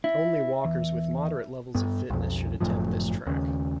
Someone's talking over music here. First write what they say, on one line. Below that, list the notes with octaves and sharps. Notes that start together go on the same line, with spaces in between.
Only walkers with moderate levels of fitness should attempt this track.
E4 E5
E2
G2 B3
B1 F2
G1 F#2 A2 F3
D#2 C#3